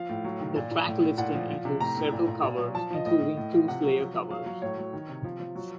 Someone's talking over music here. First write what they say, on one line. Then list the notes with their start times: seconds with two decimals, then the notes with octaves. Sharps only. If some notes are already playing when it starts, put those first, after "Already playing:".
The track listing includes several covers, including two Slayer covers.
Already playing: F3 F5
0.09 A2
0.25 F#3
0.40 D#3
0.56 A#2
0.71 A#2
0.87 A2
1.02 A2
1.18 A#2 F#5
1.34 F3
1.50 F3
1.65 C3
1.81 A2 A#5
1.97 A2
2.12 A#2
2.28 A#2
2.43 A#2
2.58 F#3
2.74 F3 A5
2.90 F3 D#5
3.05 A2 D#5
3.21 A2
3.37 A2
3.53 F3
3.68 C3 F#5
3.84 F#3
3.99 F3
4.15 F3
4.30 F#3 F5
4.46 F#3
4.62 A2 C#5
4.78 F#3
4.93 D#3
5.09 C3
5.24 F3
5.40 F3
5.56 F#3